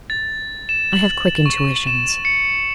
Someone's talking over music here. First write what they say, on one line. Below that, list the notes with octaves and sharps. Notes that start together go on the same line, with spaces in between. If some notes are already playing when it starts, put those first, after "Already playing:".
I have quick intuitions.
A6
E7
F#7
C#6
E7
C#7